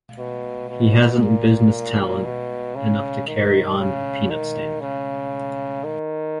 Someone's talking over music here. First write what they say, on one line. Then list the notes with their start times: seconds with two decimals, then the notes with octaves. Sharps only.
He hasn't business talent enough to carry on a peanut stand.
0.19 B2
0.69 B2
1.22 A#2
2.25 B2
2.75 C#3
3.27 D#3
3.79 C#3
4.30 D#3
4.81 C#3
5.84 D#3